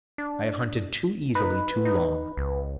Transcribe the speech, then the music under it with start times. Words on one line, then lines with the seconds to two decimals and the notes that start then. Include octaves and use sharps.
I have hunted too easily too long.
0.18 D4
1.35 D#4 B4
1.85 D#4
2.37 C#2